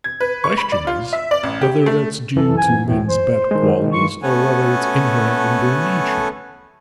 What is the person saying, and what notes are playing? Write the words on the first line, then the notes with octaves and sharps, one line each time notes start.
The question is, whether that's due to men's bad qualities or whether it's inherent in their nature.
G#6
B4
C#6
B5
D5
F4
E5
D5
A1
G4
A3
F#2 E3 A4
G#2 G#5
D2 A2
C5
D#3 G#3
G2 C6 C#6
A3 B3 C#4 A4 F#5 G#5